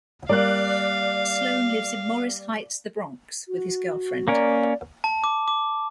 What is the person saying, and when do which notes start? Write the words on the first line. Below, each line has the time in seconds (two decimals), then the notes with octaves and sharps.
Sloan lives in Morris Heights, the Bronx with his girlfriend.
0.29 G3 A#3 D5 F5 F#6
3.47 F#4
4.28 A#3 C#4 A#4 D5
5.04 A5
5.24 D6
5.48 D6